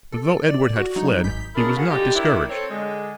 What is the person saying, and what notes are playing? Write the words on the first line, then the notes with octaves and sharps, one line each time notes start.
But though Edward had fled, he was not discouraged.
A4
D5
F#4
F#3 D#4
G#1 G6 B6
C#4 D4 E4 G#4 A#4
F2 G#3 A3 F#4 F5 F#5
D3 G3 D#4 G4
D#3 D4 E4
C4 A4 C#5
D3 G#3